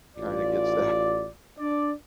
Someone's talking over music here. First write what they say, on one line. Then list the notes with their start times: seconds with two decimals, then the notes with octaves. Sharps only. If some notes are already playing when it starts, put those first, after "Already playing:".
kinda gets that
0.17 A1 F4 D5
1.59 D4 D5